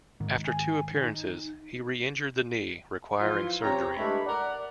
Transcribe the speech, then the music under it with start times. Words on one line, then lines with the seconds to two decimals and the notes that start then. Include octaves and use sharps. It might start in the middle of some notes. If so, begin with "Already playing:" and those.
After two appearances, he reinjured the knee, requiring surgery.
0.20 G#2 D#3
0.45 G#5
1.01 D#4
3.20 E3 F3 F4
3.62 C3 C4 C#5 A#5
3.96 G2 G#3 A3 E4 B5
4.27 A#4 D5 F#5